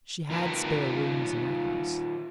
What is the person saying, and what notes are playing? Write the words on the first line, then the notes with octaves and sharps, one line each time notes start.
She had spare rooms in her house.
D#3 F4 A#4 B4 G5 A5